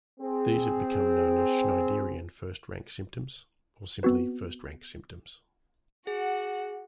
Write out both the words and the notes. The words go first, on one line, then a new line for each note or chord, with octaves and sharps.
These have become known as Schneiderian First-Rank Symptoms or simply, first-rank symptoms.
C4 G#4
B3 C4 F#4 B4
F#4 G#4 F#5